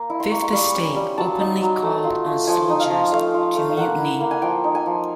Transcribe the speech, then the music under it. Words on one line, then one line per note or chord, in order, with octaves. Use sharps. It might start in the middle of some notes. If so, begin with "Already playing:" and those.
"Fifth Estate" openly called on soldiers to mutiny.
Already playing: A#3
E4
C6
A#3 C#6
C6
G3 C#6
C#4
G3
F#3 A5
D#4
F#3
A3
F4
A3
F3 G#5
D#4
F5
F3
A3 F5
F4
A3
F5
A#3 F#5
E4
A#3
G#5
F3 G5
D#4
G#5
F3